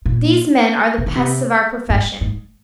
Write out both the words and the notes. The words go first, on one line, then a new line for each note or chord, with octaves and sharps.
These men are the pests of our profession.
A#2
C3
D#3
C3
G#2
G#2